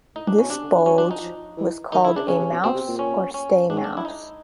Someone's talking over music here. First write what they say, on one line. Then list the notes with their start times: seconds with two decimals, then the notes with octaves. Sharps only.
"This bulge" was called a mouse or stay mouse.
0.15 A2 D#4
0.27 D4
0.33 A2
0.38 B2 C#4
0.50 C3 D4
0.62 D3
0.74 F3
0.86 F#3 C#4
0.98 F#3 D4
1.10 F3 D#4
1.22 F3
1.57 E3
1.92 D#3 D#4
2.04 D3 E4
2.16 C#3 D4
2.28 C#3 C#4
2.40 C3
2.51 B2
2.64 B2 C4
2.75 C3
2.88 A#2
2.99 C#4
3.34 C#4
3.69 G#2 D4
3.77 C#4
3.84 D4
3.97 E4
4.05 D#4